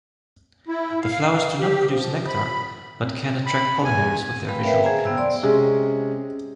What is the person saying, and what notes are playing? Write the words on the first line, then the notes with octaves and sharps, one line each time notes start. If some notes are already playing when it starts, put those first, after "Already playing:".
The flowers do not produce nectar, but can attract pollinators with their visual appearance.
E4
F5
G4
F3
B5
C4
B5
E2 G#5
A3 C4 B4 F5 G5 B5
A#4 B4 C#5 E5 F5 G5
G#4 C5 E5 F5 G#5 A#5
B3 G5 E6
D5 C6
C3 G#3 C#4 G#4